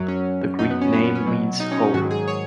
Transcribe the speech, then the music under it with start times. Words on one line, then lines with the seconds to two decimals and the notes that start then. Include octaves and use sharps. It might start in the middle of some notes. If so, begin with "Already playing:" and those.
The Greek name means "whole".
Already playing: F#2 F#3
0.08 C#4
0.59 F#2 F#3 D#4
0.70 B3
0.81 C#4
0.93 B3
1.04 C#4
1.15 C#4
1.26 B2 F#3
1.60 D#4
1.72 C#4
1.83 D#4
1.94 G#2 D#3 F#3 F#4
2.11 G#4
2.28 C#5